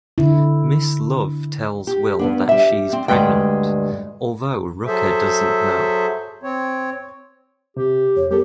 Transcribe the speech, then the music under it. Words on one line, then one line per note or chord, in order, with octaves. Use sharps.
Miss Love tells Will that she's pregnant, although Rucker doesn't know.
D3 E4
G4
G2 B3 D4
G3 E5
C4
D2 G2 G#3 D5 G5
F#3 G#4 A4 C5 E5
C4 C#5
C3 G4
F2 C#5
G3 B3 G4 A4 A#4